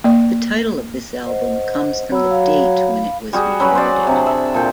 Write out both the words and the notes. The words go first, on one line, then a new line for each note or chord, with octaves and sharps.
The title of this album comes from the date when it was recorded.
A#3 D5
C5 D#5 F#5
F#3 B5 E6
F5 B5
G3 F#4 G#4
F#3 C#4 B4 B5
C5 D5
C3 D4
E5
A#2 A4 G5